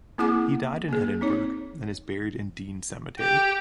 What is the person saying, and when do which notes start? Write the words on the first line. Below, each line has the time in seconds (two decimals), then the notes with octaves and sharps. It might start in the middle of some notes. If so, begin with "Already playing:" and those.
He died in Edinburgh, and is buried in Dean Cemetery.
0.18 A#3 C4 E4 G#4 F#5 D6
0.88 A#3 G#4
1.21 C4 D#4 C#5
3.19 G4